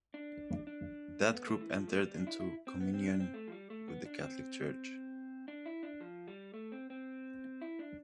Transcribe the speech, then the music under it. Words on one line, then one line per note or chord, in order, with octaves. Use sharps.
That group entered into communion with the Catholic Church.
D4
D4
A3
B3
A3
E3
F3
A3
G3
D4
E4
E4
C4
B3
C4
D4
C4
A3
F3
G3
A3
B3
D4
C4
D4
E4
D4
F3
G3
A3
C4
C4
E4
D4